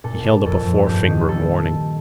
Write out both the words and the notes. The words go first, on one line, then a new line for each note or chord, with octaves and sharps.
He held up a forefinger of warning.
A#2 A4
A#2
F2 A4
F2
G2 G4
D#3
G3 A4